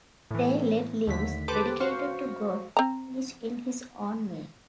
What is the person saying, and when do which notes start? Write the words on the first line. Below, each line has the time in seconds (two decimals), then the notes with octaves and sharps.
They led lives dedicated to God, each in his own way.
0.31 A2 E3
1.07 D#2 D3 A3 B6
1.48 G4 A4 B4 C5 A5 D6
1.80 F#4 C5 F5 C#6
2.77 C4 A#5